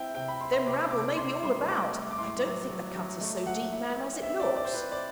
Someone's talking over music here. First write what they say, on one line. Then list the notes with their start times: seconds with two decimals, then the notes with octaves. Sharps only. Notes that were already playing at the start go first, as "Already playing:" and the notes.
'Them rabble may be all about; I don't think the cut is so deep, ma'am, as it looks.'
Already playing: C4 E4 G5
0.15 C3 G5
0.28 B5
0.41 E4 C6
0.53 C6
0.66 C3 D6
0.91 C3 D6
1.17 C3 C6
1.43 G3 C6
1.69 A3 D6
1.93 A3
2.11 D6
2.18 A2 C6
2.45 F#3
2.70 F#3
2.96 F#3
3.21 A3
3.46 F#3 F#5
3.72 E4
3.97 C4
4.22 C4 E5
4.40 D5
4.48 C4
4.57 D5
4.65 C5
4.74 E4 B4
4.92 D5